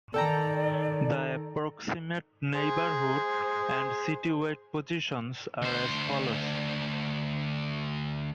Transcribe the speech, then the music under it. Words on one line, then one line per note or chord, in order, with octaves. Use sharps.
The approximate neighborhood and citywide positions are as follows.
D#3 A4 D5 G5 A#5
G#4 C5
D2 C5